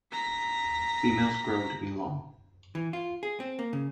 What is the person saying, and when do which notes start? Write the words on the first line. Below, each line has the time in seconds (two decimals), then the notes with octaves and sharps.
Females grow to be long.
0.12 A#5 B6
2.75 E3
2.93 F4
3.23 G#4
3.40 C4
3.59 A#3
3.73 C#3